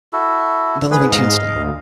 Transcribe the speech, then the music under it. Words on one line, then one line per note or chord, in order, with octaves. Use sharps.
The Living Tombstone.
E4 F#4 A4
G#2 G#4 B4
D#5 F5
D2